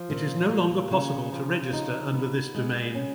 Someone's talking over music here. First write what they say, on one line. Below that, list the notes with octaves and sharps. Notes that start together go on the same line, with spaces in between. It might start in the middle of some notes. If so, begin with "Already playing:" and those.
It is no longer possible to register under this domain.
Already playing: F3
A#2
A#3
C#3
F3
D#4
B3
G#3
C#4